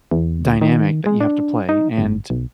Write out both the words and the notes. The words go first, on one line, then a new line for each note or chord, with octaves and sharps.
dynamic that you have to play, and
E2
D2
D#3
G#3
D4
D#4
G1
B1